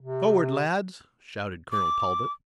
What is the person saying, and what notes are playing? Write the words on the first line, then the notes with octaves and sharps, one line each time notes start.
"Forward, lads!" shouted Colonel Talbot.
C3
D6